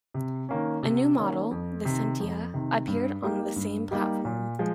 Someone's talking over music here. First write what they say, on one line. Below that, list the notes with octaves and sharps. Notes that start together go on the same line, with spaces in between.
A new model, the Sentia, appeared on the same platform.
C3
D#3 A#3 C#4
C3
D#3 A#3 C#4
F2
C3 D#3
F2
C3 D#3
G2
G3 A#3 D#4 G4
G2
G3 A#3 D#4 G4
A#2
F3 G#3